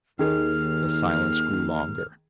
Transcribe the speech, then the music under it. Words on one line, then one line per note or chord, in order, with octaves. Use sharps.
The silence grew longer.
D#2 D#3 G#4 F6